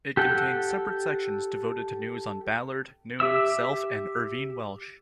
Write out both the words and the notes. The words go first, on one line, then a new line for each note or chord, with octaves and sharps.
It contains separate sections devoted to news on Ballard, Noon, Self and Irvine Welsh.
G4 A4 F#5 G5
G4 E5 E6